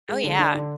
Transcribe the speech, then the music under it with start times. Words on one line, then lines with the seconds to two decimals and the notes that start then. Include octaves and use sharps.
Oh, yeah.
0.09 G#3
0.24 D3
0.39 D4
0.55 D3